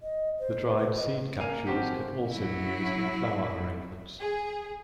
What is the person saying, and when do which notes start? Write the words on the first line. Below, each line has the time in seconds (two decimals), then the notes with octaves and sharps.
The dried seed capsules can also be used in flower arrangements.
0.03 D#5
0.39 C5
0.78 B4
0.97 D#5
1.40 A#3 F5 G#5 D#7 F7
1.67 D#3 F3 C4 F#4 G4
2.29 F#3 E4
4.20 G#4